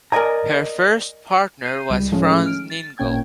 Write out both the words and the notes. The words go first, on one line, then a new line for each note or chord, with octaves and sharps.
Her first partner was Franz Ningel.
A#4 D5 D#5 G#5 A#5
G6 C7 D#7
C#2 G3 G#3
A2 F3 G#3 A3 C#4
F6 D7
A6
G#1 A#2 A#3 C#4 G5 G#6